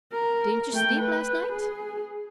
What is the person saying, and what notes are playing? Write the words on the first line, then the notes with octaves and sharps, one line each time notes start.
"Didn't you sleep last night?"
A#4
A3 G5
B4
G#4